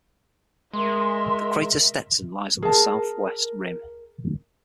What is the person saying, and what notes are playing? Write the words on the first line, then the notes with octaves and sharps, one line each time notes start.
The crater Stetson lies on the southwest rim.
G#3 A#4 E5 C6
G#4 A#4 A5